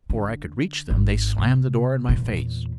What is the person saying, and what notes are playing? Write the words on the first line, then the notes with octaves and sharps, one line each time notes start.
Before I could reach them they slammed the door in my face.
D3
G#1
C3
E2 A#2